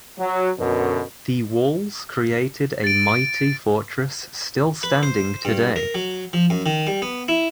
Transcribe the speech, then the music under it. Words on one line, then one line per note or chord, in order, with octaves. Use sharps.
The walls created a mighty fortress still standing today.
F#3
F#2 B2 D3
A6 D7
B4
C5
G2
A#4
F#3
F3
F#2
D#3
G3
B3
E4